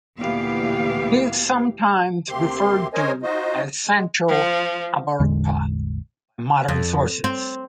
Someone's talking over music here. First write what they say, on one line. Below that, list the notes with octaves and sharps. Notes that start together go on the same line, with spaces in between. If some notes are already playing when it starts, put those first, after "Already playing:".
He is sometimes referred to as Sancho "Abarca" by modern sources.
D2 A#2 E3 B3 G4 F5
D2 C3 A#3 C4 G4 C6
C#4 A#4 C5 C#5 D#5 G#5
D#4 F4 F#4 C5 D#5
G#3
F3
A1 E2 D3 G#3
F2
C4